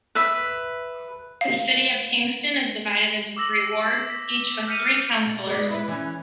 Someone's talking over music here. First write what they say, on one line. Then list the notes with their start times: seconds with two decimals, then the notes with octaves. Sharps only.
The City of Kingston is divided into three wards, each with three councillors.
0.15 B4 E5
1.41 F5
3.37 D6 E6 A#6 F#7
4.09 B6
4.68 F6 G6 B6 C#7 D#7 F7
5.26 B2
5.47 G#3 B3 D5
5.70 E4 B4
5.88 E3 C#4